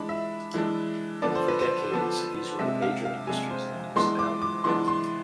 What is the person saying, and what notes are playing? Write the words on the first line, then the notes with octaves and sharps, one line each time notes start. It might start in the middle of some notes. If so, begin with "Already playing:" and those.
For decades these were the major industries in the municipality.
Already playing: E3 G#3 D4 B5
E5
E3 G#3 D4
D3 F3 B3 D4 D5
C5
B4
C5
D3 F3 B3 D4
C3 G#3 D4 E5
F5
F5
C3 G#3 D4 G#5
C5
E3 G#3 B3 D4 C6
D6
D6
E3 G#3 B3 D4 C6
C6